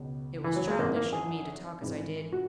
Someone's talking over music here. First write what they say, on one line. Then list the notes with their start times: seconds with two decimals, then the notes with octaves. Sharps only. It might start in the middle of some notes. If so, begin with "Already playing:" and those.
It was childish of me to talk as I did.
Already playing: C#2 B2
0.44 E3
0.56 F#3
0.68 G#3
0.79 G#1 F#2 E3 A#3
0.96 A#3
1.13 G#4
1.82 G#1 G#2 E3
2.33 F#4